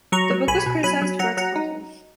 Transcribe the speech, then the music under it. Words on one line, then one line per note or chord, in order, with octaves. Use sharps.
The book was criticized for its content.
F#3 A#5 C#6
F#3
B1 G#5 B5
B2
F#3 G#5 B5
F#3
F#3 F#5 A#5
F#3 F#5 A#5
D#4